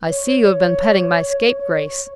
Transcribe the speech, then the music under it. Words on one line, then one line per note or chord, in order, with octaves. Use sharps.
"I see you have been petting my scapegrace."
C#5
C#5
C#5